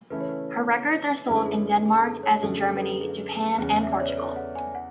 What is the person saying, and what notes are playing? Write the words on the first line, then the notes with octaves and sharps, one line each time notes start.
Her records are sold in Denmark as in Germany, Japan and Portugal.
C#3 E3 A3 C#4 E4 B4
C#5
B4
F#2 D3 G#3 C#4 E4 B4
A4
G#4
A4
G#4
A4
C#5
F#2 D3 F#3 A3 C#4 A4
G#4
A4
B4
A4
G#4
E2 C#3 G#3 C#4
E5
D5
C#5
B4
A4
F#5
G#5
F#5